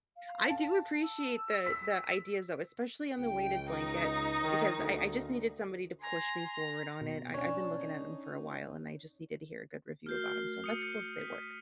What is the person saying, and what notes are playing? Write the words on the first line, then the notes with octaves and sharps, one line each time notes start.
I do appreciate the the ideas, though, especially on the weighted blanket, because I I just needed somebody to push me forward on it, I I've been looking at 'em for a while, and I just needed to hear a good review about 'em, so that's cool that they work.
F5
A5
E6
B6
C#2 G5
D#4
D#3
D2
G#5 A#5 C6
B2
C#4 D4 C#5
D#4
A3 F#4 A#4 F6 G6 C7
D#6 C#7 D#7
B6